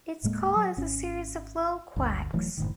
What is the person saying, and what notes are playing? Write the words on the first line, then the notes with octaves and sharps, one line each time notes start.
Its call is a series of low "quacks".
D#1 A2 G#3 A#3
F#3
G#1 C#4
G1 D2
D#1 E3 F#3 A3
F#1 A2 D#3